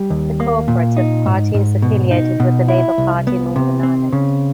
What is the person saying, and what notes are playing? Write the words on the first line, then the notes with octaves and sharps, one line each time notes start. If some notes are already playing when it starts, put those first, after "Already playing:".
The Co-operative party is affiliated with the Labour Party in Northern Ireland.
Already playing: G3
D#2
A#3
A#2
D#4
G#2
G#2
B2
D#4
B2
E4
C2
B3
C3
C4
C#3